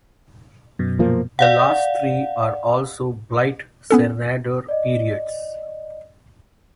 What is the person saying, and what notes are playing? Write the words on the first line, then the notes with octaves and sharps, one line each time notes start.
The last three are also Blytt-Sernander periods.
F#2 B2
A#2 F3 A#3
D5 F5 F#5
B3 C#4 A4
D5 D#5